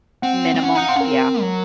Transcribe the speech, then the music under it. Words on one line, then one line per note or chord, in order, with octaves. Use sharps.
Minimum, yeah.
C4 F#5
C4
C#4 F#5
D#4 F#5
F5
C4
C#4
C4 A#4
F#3